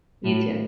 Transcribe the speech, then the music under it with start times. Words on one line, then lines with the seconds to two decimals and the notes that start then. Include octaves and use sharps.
You too.
0.24 A2